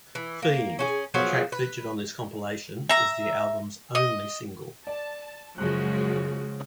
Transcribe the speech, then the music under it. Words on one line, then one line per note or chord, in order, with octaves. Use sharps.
"Fiend", a track featured on this compilation, is the album's only single.
E3
A#3
C#4 F#4 G#4
F3 F#3 B3 G#4
B4
E5 A#5
D#5
D5 A5
F#2 C#3 F3 G#3 F#4 F#6